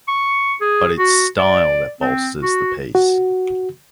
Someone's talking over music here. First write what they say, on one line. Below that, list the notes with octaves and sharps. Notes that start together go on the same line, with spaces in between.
But it’s style that bolsters the piece.
C#6
G#4
F#4
D5
C4
F#4
F#4